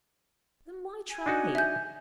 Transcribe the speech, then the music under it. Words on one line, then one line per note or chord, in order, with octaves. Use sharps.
Then why try?
G#5
D4 D#4 F#4
E5 G6